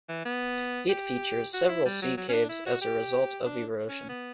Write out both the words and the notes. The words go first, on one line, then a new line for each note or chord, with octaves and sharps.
It features several sea caves as a result of erosion.
E3
B3
G4
F#4
E4
G3
F#3
F#3
C#4
D4
E4
F#4
G4
D4
C#4
B3